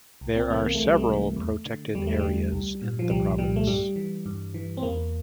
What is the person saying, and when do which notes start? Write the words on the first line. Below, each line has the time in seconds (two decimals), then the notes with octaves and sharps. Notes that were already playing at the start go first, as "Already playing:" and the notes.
There are several protected areas in the province.
0.21 C2
0.36 C4
0.50 C3 E3 A#3
0.65 A#3
0.75 C2 A3
0.85 G3
0.95 A3
1.08 C3 E3
1.36 E2
1.66 D3
1.95 E2 G3
2.07 A3
2.19 D3 G3
2.52 C2
2.81 A#2
2.99 F3
3.10 C2 G3
3.38 A#2 G3
3.56 A3
3.67 G2 G3
3.96 E3
4.26 G2
4.54 E3
4.77 C4
4.83 E2 A#3